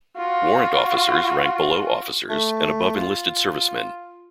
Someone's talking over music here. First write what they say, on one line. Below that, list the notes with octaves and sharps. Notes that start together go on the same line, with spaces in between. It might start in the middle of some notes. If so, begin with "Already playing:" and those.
Warrant officers rank below officers and above enlisted servicemen.
F4 F#4
A3
F4